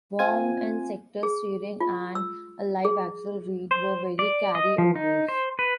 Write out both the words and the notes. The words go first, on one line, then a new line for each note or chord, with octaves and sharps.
Worm-and-sector steering and a live axle rear end were carry overs.
C4 F4 G#5
G#4
F4
E6
G#4
C5
D5
D#5
F3
D#4
C5
B4